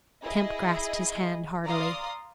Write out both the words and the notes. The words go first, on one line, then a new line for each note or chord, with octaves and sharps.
Kemp grasped his hand heartily.
E4 G#4 D#5
D5 F5 A#5 C6 D#6